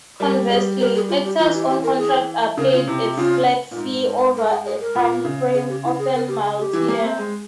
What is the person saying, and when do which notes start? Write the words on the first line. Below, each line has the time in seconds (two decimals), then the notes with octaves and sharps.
Conversely, actors on contract are paid a flat fee over a timeframe-often multi-year.
0.20 G3 A#4
0.50 G3 G#4
0.80 A#4
0.95 G#4
1.09 F4
1.24 G4
1.39 E3 F4
1.55 G4
1.69 G4
1.83 A#4
1.98 G#4
2.57 C#3 A#4
2.73 F4
2.87 C3 E4
3.02 F4
3.17 C#3 F4
3.71 A#2
3.76 G#2
4.36 A#4
4.51 G#4
4.65 G#4
4.81 A#4
4.95 A#2
5.25 C#3
5.54 G#4
5.69 G4
5.84 E4
5.99 G#4
6.14 A#4
6.28 G4
6.44 G#4
6.58 G4
6.73 E3
6.88 A#3
7.03 C4
7.18 G#3